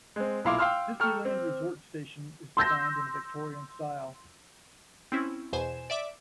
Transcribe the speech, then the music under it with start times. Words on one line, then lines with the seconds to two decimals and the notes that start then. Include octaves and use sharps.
Disneyland Resort station is designed in a Victorian style.
0.16 G#3 C4
0.45 B1 A#2 E4 F5 C6 D6
0.58 F5 G5 C6 E6 F6
1.00 A4 G5 A#5 C#6 F6
1.25 C4
2.57 C6 E6 G6 A#6
5.12 C4 C#4 E4
5.53 E2 B2 C5 G#5 E7
5.90 D5 E5 D6